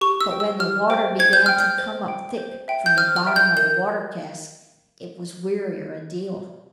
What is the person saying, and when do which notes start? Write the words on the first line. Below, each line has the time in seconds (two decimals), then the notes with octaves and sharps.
But when the water began to come up thick from the bottom of the water-casks, it was wearier a deal.
0.01 G4 C#6
0.21 E6
0.31 C5 G5
0.40 E6
0.60 G4 F6
0.90 C5 G5
1.19 C5 G#6
1.33 G6
1.46 G5 F6
1.60 G6
1.78 C5
2.08 G5
2.37 C5
2.68 E5 G5
2.86 G6
2.97 C5 F6
3.16 F6
3.26 E5 G5
3.36 G6
3.56 A#4 G6